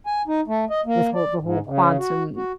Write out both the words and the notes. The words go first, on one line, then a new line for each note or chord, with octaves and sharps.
with whole The whole quantum
G#5
D#4
A3
D#5
A#3
D5
G#2
C#3
F#4
F#4